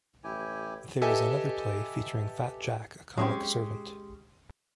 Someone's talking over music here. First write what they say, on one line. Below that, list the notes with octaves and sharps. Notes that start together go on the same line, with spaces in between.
There is another play featuring Fat Jack, a comic servant.
A1 E4 G4 G#5
G4 A4 B4 D#5 E5 G#5
F#3 G#3 C4 C#4 G4